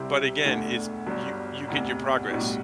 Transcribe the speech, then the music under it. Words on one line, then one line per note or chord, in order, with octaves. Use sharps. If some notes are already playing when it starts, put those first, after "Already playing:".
but again, it's you you get your progress,
Already playing: C2 C3 G3 C4 E4
E1 D2 D3 A3
G1 G2 F#3
E1 D2 C3
B1 A2 G3 D4 F#4